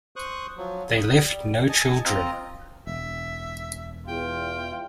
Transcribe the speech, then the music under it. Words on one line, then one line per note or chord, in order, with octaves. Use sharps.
They left no children.
C5 C#6 D#6 F#6
F3 F#3
B5 D#6
G3
D#5 G#5 A5
C4 F4 D#5 A#5
E1 E5
E2 F4 G5